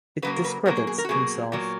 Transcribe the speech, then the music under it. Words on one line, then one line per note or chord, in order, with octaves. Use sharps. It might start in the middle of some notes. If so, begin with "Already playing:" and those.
It discredits himself.
C#3 F#3 A#3 B4
A#4
B4
B2 F#3 A#3 A#4
G#4
G#4
A#4
F#4
B2 F#3 A#3 G#4
A#2 F#3 A#3